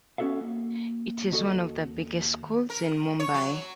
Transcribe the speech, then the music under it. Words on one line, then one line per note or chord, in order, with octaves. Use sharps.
It is one of the biggest schools in Mumbai.
B3 C#4 F#4 A4 E5 F5
A#3
D#2 F#4 A4 D#5
A#4
C#5
F#3